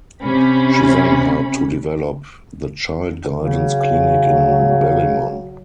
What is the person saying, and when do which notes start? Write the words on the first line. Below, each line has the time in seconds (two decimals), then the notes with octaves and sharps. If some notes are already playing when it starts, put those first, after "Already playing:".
She then helped to develop the Child Guidance Clinic in Ballymun.
0.23 C3 C#4 B5
3.42 C#3 F#3